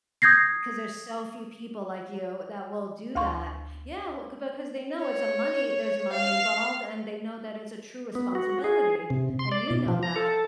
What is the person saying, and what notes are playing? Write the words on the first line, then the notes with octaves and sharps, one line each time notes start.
'Cause there's so few people like you, that will do that. Yeah well ‘c because they know it's a money there's money involved, and they know that it's a true responsibility, and you know that.
D#6 G6 G#6 A#6 C7
D2 F5 C6 C#6
C#5
F5
B3
F#4
G#4
C3
C6
D5
B2
F3
A#5
A4